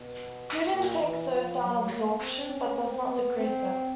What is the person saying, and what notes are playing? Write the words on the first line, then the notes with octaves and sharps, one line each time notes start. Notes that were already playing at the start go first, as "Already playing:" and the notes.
Food intake slows down absorption, but does not decrease it.
Already playing: B2
A#2
E3
F3
F#3
A#3
C4
C#4
C4
B3
C4